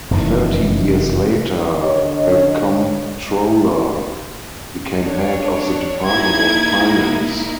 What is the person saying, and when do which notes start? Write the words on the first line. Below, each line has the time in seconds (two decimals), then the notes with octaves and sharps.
Thirty years later, the comptroller became head of the department of finance.
0.11 F1 F#2 D#3 E3
1.76 D3 C#5 D#5
5.01 D4 C#5
6.08 A#3 D#4 E4 G#6